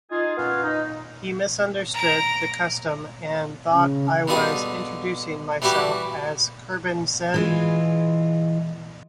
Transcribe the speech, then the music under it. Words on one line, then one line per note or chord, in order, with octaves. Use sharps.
He misunderstood the custom and thought I was introducing myself as Kurban Said.
D#4 F4 G#4
A#3 B3 C#4 F4 F#4 F5
D#4
A#5 D7
C#3
B2 D3 G3 G#4 F5 D#6
E3 G3 E4 F#4 G4
E3 G#3 F4